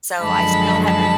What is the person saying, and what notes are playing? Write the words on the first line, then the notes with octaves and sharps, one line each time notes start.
so, I still haven't
F#2 D3 F3 G#3 A5 B5
A5 B5